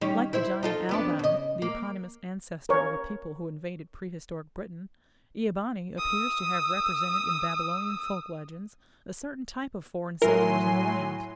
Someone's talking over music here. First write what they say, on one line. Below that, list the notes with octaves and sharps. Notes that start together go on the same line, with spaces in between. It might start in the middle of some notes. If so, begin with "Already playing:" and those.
Like the giant Alban, the eponymous ancestor of a people who invaded prehistoric Britain, Ea-bani appears to have represented in Babylonian folk legends a certain type of foreign settlers in the land.
D#3 G3 C#4
E4 C5 E5
D#4 F4 A4
F2 B3 D4
C#3 D#5
A#3
A#4 C#5
D#6 E6
A2 F#3 E4 A#4 G#5 C6